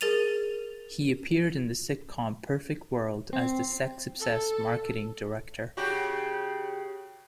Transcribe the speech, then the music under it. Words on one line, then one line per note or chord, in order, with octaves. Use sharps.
He appeared in the sitcom "Perfect World" as the sex-obsessed marketing director.
G#4 A#4 A6 D#7 F7
C4
A4
C#3 F#4 G4